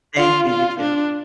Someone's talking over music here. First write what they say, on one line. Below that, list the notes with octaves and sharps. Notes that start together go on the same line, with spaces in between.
Thank you, you too.
F4
F4
D4